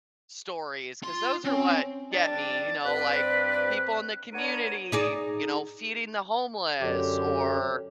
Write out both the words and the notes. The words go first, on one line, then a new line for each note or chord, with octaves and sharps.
stories, 'cause those are what get me, you know? Like, people in the community, you know, feeding the homeless or,
F4 C6
C4 C#4
F2 G3 D4 A6
G2 C4 B4 C5 D5 F#6
B3 D4 A#4 C#5 D#7
D#4 G#4 D5
F#2 D3 F#3 G4